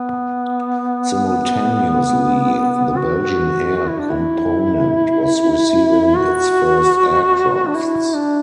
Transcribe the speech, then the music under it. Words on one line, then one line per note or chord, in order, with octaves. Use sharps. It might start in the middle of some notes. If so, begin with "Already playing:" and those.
Simultaneously, the Belgian Air Component was receiving its first aircrafts.
Already playing: B3
F#4
F#4
E4
D4
E4
F#4
D4
E4
D4